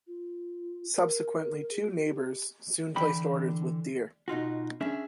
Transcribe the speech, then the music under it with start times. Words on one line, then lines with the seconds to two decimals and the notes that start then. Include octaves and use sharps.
Subsequently two neighbors soon placed orders with Deere.
0.07 F4
0.95 A#4
1.70 G#4
1.85 F#4
2.07 G4
2.96 D3 E3 D4 D5 G5 B5
4.28 B2 D#4 F4 F#4
4.81 C#4 D4 G#4 E5